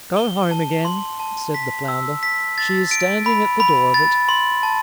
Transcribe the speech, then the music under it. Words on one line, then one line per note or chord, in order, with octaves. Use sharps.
"Go home again," said the flounder; "she is standing at the door of it."
G7
A5
C6
A5
B6
E6
B6
A6
D7
B5
B5
A6
C6
A5